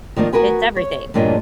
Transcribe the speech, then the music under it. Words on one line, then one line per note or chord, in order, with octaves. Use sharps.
It's everything,
D#3 F3 A#3 D4
B3 F#4 A#4 B4 G#5
C#5
E2 G2 A#2 D4 C#5 D#5